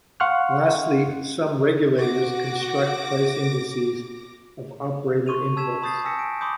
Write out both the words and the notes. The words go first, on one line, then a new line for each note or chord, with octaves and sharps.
Lastly, some regulators construct price indices of operator inputs.
F5 F#5 C6 C#6 F6 F#6
F#4 D6 A#6
C6 C#6 D#7 F7
A5 E6 G#6 B6 E7
A5 B5 D#6 G6 A6 C7
G#5 A5 E6 A#6 B6 C#7
D7
B5 C6 D6 D#6 G6